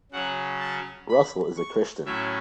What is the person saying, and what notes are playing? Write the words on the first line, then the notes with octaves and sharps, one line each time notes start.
Russell is a Christian.
C#3 F#3 C#4 F#5
A5
B5
C#6
A2 F#3 C#4 E5